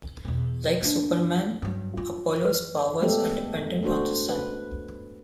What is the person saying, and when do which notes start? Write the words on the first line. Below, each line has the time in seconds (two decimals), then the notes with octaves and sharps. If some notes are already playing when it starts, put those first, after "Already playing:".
Like Superman, Apollo's powers are dependent on the sun.
0.25 E2 B2
0.82 A#3 D4
1.62 G2 F#3
1.97 F4
2.45 B4
3.01 G#3 A3 B3 G4 A4
3.83 A3 D4 F#4 C5
4.28 B4